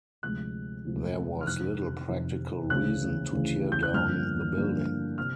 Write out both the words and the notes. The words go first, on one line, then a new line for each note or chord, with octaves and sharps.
There was little practical reason to tear down the building.
D2 C3 F3 G#3 F#6
D2 C3 F3 G#3
F6
F2 C3 D#3 F#6
F2 C3 D#3
D2 C#3 E3 F#6
D2 C#3 E3
G6
F#6
G2 D3 F3 A#3 F6
G2 D3 F3 A#3
C3 F6